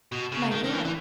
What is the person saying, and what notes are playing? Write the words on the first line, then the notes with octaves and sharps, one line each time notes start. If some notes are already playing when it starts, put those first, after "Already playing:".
"My God!"
B2
C#3
D#3
D#3
E3
E3